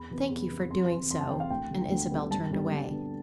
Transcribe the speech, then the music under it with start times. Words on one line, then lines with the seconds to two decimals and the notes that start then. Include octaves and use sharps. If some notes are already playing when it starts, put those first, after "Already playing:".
"Thank you for doing so." And Isabel turned away.
Already playing: E2 B5
0.10 C3 E3 B3
0.30 E2
0.50 C3 E3 B3
0.69 F2 C6
0.85 C6
0.90 C3 E3
1.10 F2 C6
1.21 A5
1.30 C3 E3 G5
1.40 F5
1.50 D2 G5
1.71 D3 G3 B3
1.91 D2
2.11 D3 G3 B3
2.31 G2 A5
2.51 D3 G3 B3
2.71 G2
2.91 D3 G3 B3